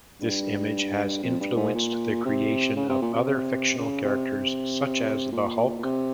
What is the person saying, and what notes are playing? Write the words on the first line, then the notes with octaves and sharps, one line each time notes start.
This image has influenced the creation of other fictional characters, such as the Hulk.
G2
F2
G2
G#2
A#2
C3
C#3
C3
A#2
C3
C#3
C3
A#2
A#2
C3